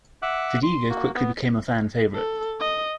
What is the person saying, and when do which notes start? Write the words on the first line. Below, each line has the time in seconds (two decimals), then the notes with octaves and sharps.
Fadiga quickly became a fan favorite.
0.22 E5 F#5 D6 F#6
0.63 C6
0.90 A#3 F#4
1.15 B3
2.14 A4
2.60 D#5